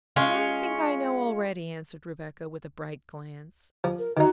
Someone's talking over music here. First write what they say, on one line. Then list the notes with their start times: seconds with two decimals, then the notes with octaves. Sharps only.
"I think I know already," answered Rebecca, with a bright glance.
0.16 G#3 C#4 F4
3.84 F3
3.99 A#4
4.17 D#3 D#4 F#4